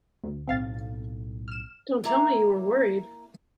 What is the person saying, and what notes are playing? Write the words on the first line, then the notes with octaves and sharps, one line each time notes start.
Don't tell me you were worried!
D2
B1 A2 A3 C4 F5 A6
F6 E7
A#3 E4 A#5